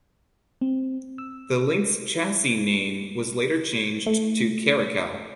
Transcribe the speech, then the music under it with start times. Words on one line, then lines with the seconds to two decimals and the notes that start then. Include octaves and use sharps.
The Lynx chassis name was later changed to Caracal.
0.61 C4
1.18 E6
4.06 A3